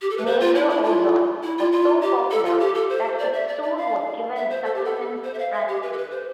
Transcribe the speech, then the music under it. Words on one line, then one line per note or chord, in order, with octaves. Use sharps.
"Major Ozone" was so popular that it soon was given the supplement's front page.
G4
A4
B4
C5
F4
E4
E4
F4
E4
F4
F4
G4
A4
F4
G4
A4
C5
D5
E5
D5
D5
F5
E5
C5
A4
G4
A4
C5
E5
F5
E5
G4
B4
A4
B4
C5